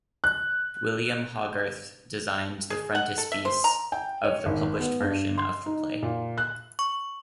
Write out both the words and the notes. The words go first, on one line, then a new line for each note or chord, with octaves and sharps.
William Hogarth designed the frontispiece of the published version of the play.
F#6
G#4
F#5
A4
E5
C5
A#5
G5
C#5
G#1
B3
G2
C6
D#4
A#2
F#6
C#6